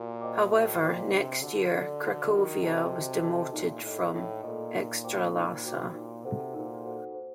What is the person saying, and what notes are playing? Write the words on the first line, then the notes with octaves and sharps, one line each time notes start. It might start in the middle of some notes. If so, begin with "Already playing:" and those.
However, next year, Cracovia was demoted from Ekstraklasa.
Already playing: A#2 F#4
C5 D#5 G5 D6
A2 F#4
A#2 C5 D#5 G5 D6
C3 D4
D3 F#4 A4 D5
D3 D4
F#4 A4 D5
D#3 F#4
C3 A4 D#5 A5
F#4
A4 D#5 A5
A#2 D#4
A2 A4 D#5
A2 D#4
A#2 A4 D#5
D#4
F#4 C5 G5 D6
D#4
F#4 C5 G5 D6
A#2 D#4
C3 F#4 A4 C5 F#5
A#2 D#4
F#4 A4 C5 F#5
C5